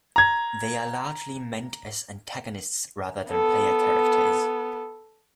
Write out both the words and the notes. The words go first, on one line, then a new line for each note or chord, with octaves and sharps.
They are largely meant as antagonists rather than player characters.
A#5 G#6
B3 A4